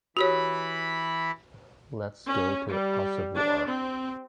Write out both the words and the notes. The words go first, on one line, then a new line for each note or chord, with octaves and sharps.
Let’s go to Assuévar.
E3 F#4 G4 B4 C#5 B5
C#4
G3
D4
C4